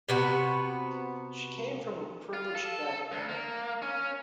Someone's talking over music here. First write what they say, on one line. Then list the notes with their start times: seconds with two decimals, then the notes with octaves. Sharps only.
She came from a privileged background.
0.09 C3 B3 F#4
2.33 F4
2.55 A4
3.12 D2
3.29 A#3
3.82 C#4